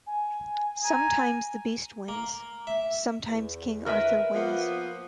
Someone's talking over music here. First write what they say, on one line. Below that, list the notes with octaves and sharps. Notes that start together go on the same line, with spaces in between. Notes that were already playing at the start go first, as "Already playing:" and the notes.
Sometimes the beast wins, sometimes King Arthur wins.
G#5
G#5 A#5
A#3
E5
E2
A#4 B4 E5
F3 A#3 B3